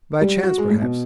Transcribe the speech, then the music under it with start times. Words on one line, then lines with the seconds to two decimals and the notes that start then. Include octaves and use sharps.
'By chance, perhaps.
0.21 G3
0.43 F#4
0.58 G#3
0.69 A2
0.82 B2